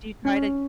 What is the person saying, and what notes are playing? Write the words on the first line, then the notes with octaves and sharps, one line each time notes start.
Do you try to
C#4